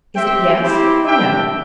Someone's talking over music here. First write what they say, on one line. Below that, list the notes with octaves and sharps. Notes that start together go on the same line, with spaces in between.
Is it Yes or No?'
C4 G4 E5 G5
C4 E4 G4
D4 G4 E5 G5